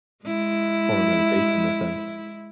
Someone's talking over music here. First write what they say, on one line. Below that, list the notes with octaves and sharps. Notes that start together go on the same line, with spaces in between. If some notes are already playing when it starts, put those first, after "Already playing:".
form of meditation in a sense,
G#3 E4